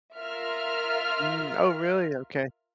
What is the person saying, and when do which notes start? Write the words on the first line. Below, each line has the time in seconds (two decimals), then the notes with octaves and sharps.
Mm, oh, really, okay.
0.17 F4 A#4 E5 F6